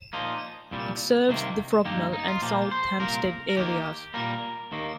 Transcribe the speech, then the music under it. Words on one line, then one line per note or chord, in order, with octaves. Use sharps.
It serves the Frognal and South Hampstead areas.
A#2 F3 A#3 D#4
C2 A#2 G3
C2 C3 D#3 G3 A#3
G2 D#3 A#3 G4
D#4
F4
A#2 F3 A#3 G4
C5
C2 A#2 A#3 A#4
A#4
D#2 D#3 A#3 G4
A#2 G3 A#3 A#4
D#2 D#3 A#3